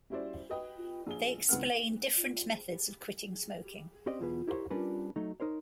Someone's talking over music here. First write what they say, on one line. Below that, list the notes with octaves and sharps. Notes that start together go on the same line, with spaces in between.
They explain different methods of quitting smoking.
G3 C#4 E4 F#4 C5 D5
F#4 B4 D#5 G5
A#1 G#4 G7
C#2 D#3 C4 B4 F#5 F6
C4 C#4 G4 C5 D5 D#5
B1 E2 B2 G#4 B4
E4 G4 A#4 C5 C#5
G3 C#4 D4 A#4 B4
F#3 A3 D#4
D#4 A#4 C5 C#5